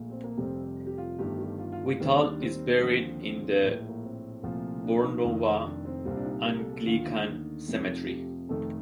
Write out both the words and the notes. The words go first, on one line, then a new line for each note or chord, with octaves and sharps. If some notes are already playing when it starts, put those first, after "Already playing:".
Whittall is buried in the Bornova Anglican Cemetery.
Already playing: A#1 A#2 A3
C4
A#3
F1 F2 C3 G3 C4
G4
F4
G1 G2 D#3 A3 G4
G4
F4
F4
F4
D#2 D#3 G3 C4
D4
C4
D#2 D3 F3
C4
C4
A#1 A2 A3
A#3
C4
C2 A#2 F3 A3
D4
D#4
F1 F2 D#3 A3
D4
C4
C2 A#2 G3 C4
D4
D#4
A#4
A4
A4
D#2 D3 A3 F4
D#4
F2 C3 F3 A3
G4
F1 F2 D#3 A3 A4